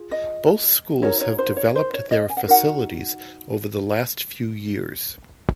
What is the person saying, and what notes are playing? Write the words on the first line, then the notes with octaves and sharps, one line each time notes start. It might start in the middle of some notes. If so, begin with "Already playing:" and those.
Both schools have developed their facilities over the last few years.
Already playing: F4 G#4
D#5
D#4 F#4 A#4 C#5
C#5
C5
C#5
C5
C#5
D#5
G#5
F#5
F5
D#4 F#4 A#4 F#5